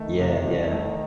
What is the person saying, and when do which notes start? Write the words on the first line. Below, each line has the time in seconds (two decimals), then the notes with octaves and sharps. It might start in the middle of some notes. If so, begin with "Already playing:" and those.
Yeah, yeah.
Already playing: D#3 A3
0.20 C3
0.47 C2
0.72 A3